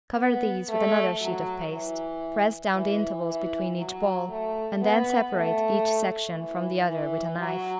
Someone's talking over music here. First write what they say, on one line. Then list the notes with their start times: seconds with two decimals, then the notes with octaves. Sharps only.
Cover these with another sheet of paste, press down the intervals between each ball, and then separate each section from the other with a knife.
0.17 B3
0.69 A3
1.20 F#3
1.72 E3
2.75 E3
3.27 E3
3.78 F#3
4.29 A3
4.81 B3
5.33 A3
6.36 E3
6.88 E3
7.39 F#3